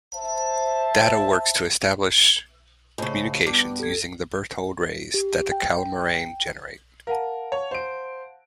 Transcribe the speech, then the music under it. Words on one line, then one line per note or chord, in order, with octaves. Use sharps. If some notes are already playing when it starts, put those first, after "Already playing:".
Data works to establish communications using the Berthold rays that the Calamarain generate.
C5 E5 A5
A2 C#3 C5 D#5 G#5
G2 B3 D6
G4 A4 G#6
G4
G5
A#4 F5 F#5 A5
C#5
C5 D7